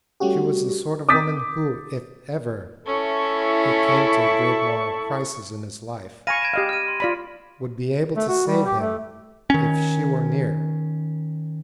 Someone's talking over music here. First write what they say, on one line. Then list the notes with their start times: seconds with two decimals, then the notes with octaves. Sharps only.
She was the sort of woman who, if ever he came to a great moral crisis in his life, would be able to save him if she were near.
0.20 G3 A3 C#4 F#4 G4
1.09 D6 D#6 G6 A6 B6
2.86 C#4 E4 A4 C#6
6.27 F5 G#5 B5 C#6 A#6 D#7
6.42 G#6 D7 E7
6.53 G4 D#5 F5
6.69 F6 D#7
6.88 C6
7.00 F4 D5 B5
8.16 A3
8.28 F#4
8.47 G3
8.66 G4
8.80 A3
9.50 D#3 C#4